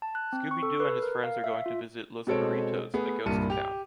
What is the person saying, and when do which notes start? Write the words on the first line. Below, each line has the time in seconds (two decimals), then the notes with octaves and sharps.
Scooby-Doo and his friends are going to visit Los Burritos, a ghost town.
0.02 A5
0.15 F#6
0.33 C4
0.51 C#6
0.63 A4
0.80 B4
1.02 A#4
1.24 F5
1.44 E5
1.66 F4
2.27 B2 G#3 C4 A4 C#5 D7
2.94 A3 B3 G#4
3.26 C2 G2 A#2 A5 C#7 D#7
3.50 G4 F7